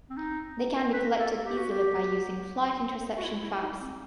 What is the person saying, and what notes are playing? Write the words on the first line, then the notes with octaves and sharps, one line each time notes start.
They can be collected easily by using flight interception traps.
C4
D#4
B4
A4
G4
F#4
G4
F#4
E4
E4
D#4
C4